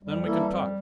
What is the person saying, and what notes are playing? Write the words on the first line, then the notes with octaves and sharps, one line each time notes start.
Then we can talk.
F2 G3
E3 A#3 E4 A4
F2